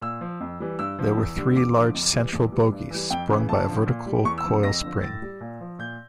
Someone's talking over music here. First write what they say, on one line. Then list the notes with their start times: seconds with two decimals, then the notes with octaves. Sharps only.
There were three large central bogies, sprung by a vertical coil spring.
0.01 A#2 E6
0.21 F3
0.40 F2
0.60 E3 G3
0.79 G2 E6
0.99 D3 F3
1.18 E2
1.37 D3 G3
1.56 E2 D6
1.76 D3 F3
1.94 F2
2.14 E3 G3
2.33 E2
2.52 E3 G3
2.72 G2
2.90 E3 G3
3.10 F2 G5
3.29 C#3 E3
3.49 F2 A5
3.67 D3 F3
3.86 A#2
4.06 G3
4.25 E2 C#6
4.38 E6
4.45 C#3 F3
4.63 F2 A#6
4.83 D3 F3
5.02 A2 A6
5.22 G3
5.40 A#2
5.61 F3
5.79 A#2 G6